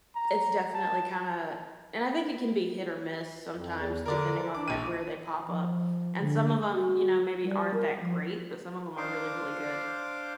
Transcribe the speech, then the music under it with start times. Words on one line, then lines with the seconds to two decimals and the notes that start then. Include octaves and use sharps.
it's definitely kinda and I think it can be hit or miss sometimes depending on, like, where they pop up, and some of 'em, you know, maybe aren't that great, but some of 'em are really, really good.
0.16 A#5
0.74 A5
3.55 F2
3.80 E2
4.06 D3 A#4 D5
4.38 F3
4.54 D4 D6
4.68 A#1 D#7
5.48 F3
6.20 D3
6.73 F#4
7.44 G3
7.74 A#4
8.02 F3
8.97 D4 C5 F5 C6 D6